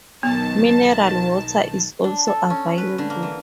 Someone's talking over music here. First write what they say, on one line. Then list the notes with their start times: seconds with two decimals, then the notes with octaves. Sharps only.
Mineral water is also available.
0.23 B1 D#3 B3 A5
2.04 D4
2.27 A4
2.50 C#4
2.78 B4
2.98 D3
3.10 A#3
3.23 E3